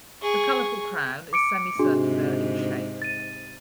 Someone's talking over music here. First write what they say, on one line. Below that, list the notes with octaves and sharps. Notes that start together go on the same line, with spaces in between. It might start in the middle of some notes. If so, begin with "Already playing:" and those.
The colourful crown is semicircular in shape.
G#4 C#6
D6 C#7 D7
G#2 C3 D4 F#4 G#4
A6 D#7